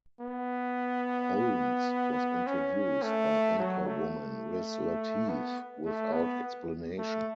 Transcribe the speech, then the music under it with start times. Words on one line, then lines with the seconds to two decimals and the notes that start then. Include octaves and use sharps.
Holmes was introduced by anchorwoman Riz Lateef without explanation.
0.21 B3
2.47 C#4
3.02 A3
3.59 F#3
3.87 A3
5.29 B3
5.86 A3
6.13 B3
6.98 A3